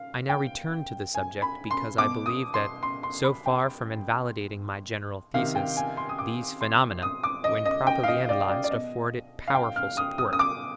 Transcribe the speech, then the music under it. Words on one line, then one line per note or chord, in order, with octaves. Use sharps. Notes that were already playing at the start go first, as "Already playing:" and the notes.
I now return to the subject, because I believe that, so far from invalidating my general thesis, these phenomena, when properly analyzed, afford it powerful support.
Already playing: F5
G5
G#5
B5
C6
B2 D6
D#6
C6
C6
C6
B5
G5
C3 D#3 F5
G5
G#5
C6
D#6
D6
C6
D#6
D6
D#5
D#5
G5
F5
D#5
D5
D5
D5
B2 D#5
F5
G5
F6
D#6
D#6
D#6
D6